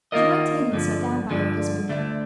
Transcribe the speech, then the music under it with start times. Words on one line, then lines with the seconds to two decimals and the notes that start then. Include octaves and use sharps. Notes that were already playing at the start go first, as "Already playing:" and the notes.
She went in and sat down by her husband.
0.12 D#3 A#3 F4 A#4 D#5
0.71 G2 D3 F3
1.30 G2 D3 F3
1.89 D2 D3 A3